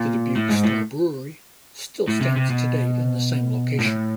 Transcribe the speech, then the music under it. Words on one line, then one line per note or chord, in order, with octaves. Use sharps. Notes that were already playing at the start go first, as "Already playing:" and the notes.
The Dubuque Star Brewery still stands today in the same location.
Already playing: A#2
A2
G#2
A2
A2
C3
C3
B2
A2